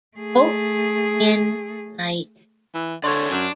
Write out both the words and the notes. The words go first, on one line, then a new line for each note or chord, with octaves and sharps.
Hope in light.
A3 G#4
E3
D3 A4 C#5 D5 C6 C#6 G#6
F#2 D4